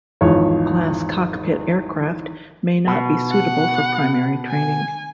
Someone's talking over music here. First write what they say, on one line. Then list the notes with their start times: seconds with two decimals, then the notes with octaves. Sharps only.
Glass cockpit aircraft may not be suitable for primary training.
0.21 G#1 E2 F3 C#5
2.87 B2
3.32 F#5
4.50 G#5